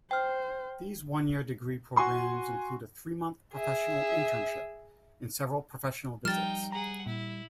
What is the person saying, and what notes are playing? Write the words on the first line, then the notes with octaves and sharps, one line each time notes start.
These one-year degree programs include a three-month professional internship and several professional visits.
C5 G5 F6
F#4 G#5 C6 C#6
G#4 E5
F3 G3 D#4 G5 F6 A6 E7
G#4 F#5 A#5
A#2 E4